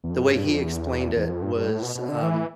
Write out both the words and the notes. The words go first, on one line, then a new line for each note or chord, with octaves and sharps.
the way he explained it was, um,
E2
F2
G2
G2
F2
E2
E2
F2
G2
G2
A2
B2
B2
D3
E3